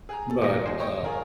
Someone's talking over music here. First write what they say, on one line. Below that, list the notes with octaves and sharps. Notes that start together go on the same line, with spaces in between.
but, uh
G#4 A#5
A4
A#2 D#3 A#6
D#2 G#4 C5
C#5 G5 C#6
F4 G#4 A#4